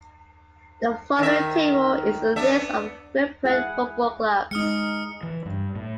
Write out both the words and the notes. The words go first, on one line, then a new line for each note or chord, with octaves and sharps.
The following table is a list of Cypriot football clubs.
D#3 E5
B3 D4 E5
E4 G#4 F#5
G#3 D#4 D#6 F6 C#7
E3
G2
A2